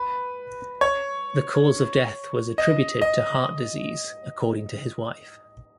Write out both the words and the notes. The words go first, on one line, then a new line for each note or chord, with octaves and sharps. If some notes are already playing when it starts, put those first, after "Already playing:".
The cause of death was attributed to heart disease according to his wife.
Already playing: B4
C#5
D#5
D#5